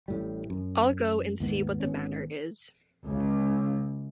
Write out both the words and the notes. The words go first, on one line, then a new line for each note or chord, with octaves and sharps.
I'll go and see what the matter is.
A1 A2 G3
F#2
D#2 G#2 B3
G#1 B3 C#4
C#2